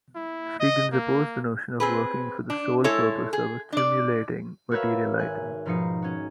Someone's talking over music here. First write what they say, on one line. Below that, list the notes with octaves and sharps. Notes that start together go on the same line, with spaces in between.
Freegans oppose the notion of working for the sole purpose of accumulating material items.
E4
D#5
A#3
C4 G#4 B4
D4
G#3 E4 A4 C#5
G#4
D4 D5
F#4 A#4 B4 C#5 E5 F5
G#1 G#5 F#6
G#2 B2 F3 D#4 C7 C#7
C#4 F#4